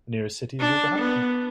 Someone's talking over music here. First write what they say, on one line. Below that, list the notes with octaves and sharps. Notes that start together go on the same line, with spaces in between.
The nearest city is Wolverhampton.
D4
B3